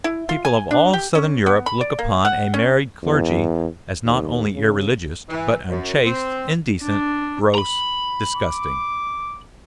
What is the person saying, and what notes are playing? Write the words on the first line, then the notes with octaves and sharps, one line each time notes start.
The people of all Southern Europe look upon a married clergy as not only irreligious, but unchaste, indecent, gross, disgusting.
E4
F4
G#5
D4
G4
C#4
B3
B5
D5
A#3
F#5
C#4
E2
D#2
C#3
E3
F#2
C4
D4
A#5 B5
D6